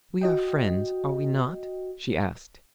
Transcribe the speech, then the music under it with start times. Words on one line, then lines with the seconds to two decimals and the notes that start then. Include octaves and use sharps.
"We are friends; are we not?" she asked.
0.21 F#4 D#5 G5